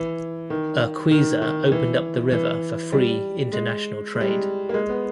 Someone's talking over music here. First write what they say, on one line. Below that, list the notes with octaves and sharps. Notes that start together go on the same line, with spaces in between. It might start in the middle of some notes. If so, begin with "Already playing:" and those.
Urquiza opened up the river for free international trade.
Already playing: E3
D#3
D#3
D#3
E3
E3
G3
G#3
G#3
G3
G#3
A#3
G#3
B3